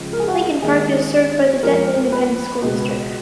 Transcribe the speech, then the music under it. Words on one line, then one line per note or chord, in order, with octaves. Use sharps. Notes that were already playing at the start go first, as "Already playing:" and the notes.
Lincoln Park is served by the Denton Independent School District.
Already playing: C#2 C#3 F3 G#3
A#4
G#4
F#4
G#4
D#2 D#3 G#3 G#4
F2 F3 G#3 A#4
B4
C#2 B2 G#3